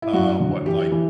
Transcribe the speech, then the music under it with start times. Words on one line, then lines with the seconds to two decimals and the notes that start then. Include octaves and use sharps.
uh, what, like,
0.02 E4
0.13 F#2 F#4
0.40 D3
0.66 E3 G4
0.92 E3